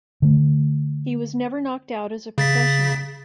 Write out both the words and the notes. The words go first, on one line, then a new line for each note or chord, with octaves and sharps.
He was never knocked out as a professional.
D3 A3
C#3 A6 B6